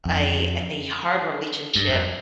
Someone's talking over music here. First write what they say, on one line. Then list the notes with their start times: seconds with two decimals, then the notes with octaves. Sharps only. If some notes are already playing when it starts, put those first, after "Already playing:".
I a hard relationship
0.05 F2
1.75 G2
1.89 F2